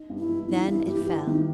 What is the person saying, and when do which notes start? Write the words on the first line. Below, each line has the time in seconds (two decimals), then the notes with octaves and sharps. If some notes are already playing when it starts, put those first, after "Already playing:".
Then it fell.
Already playing: D#4
0.10 G2
0.18 E4
0.29 E3
0.48 E3 D#4
0.68 G2 E4
0.88 E3 G4
1.07 E4 G4
1.26 D#3 D#4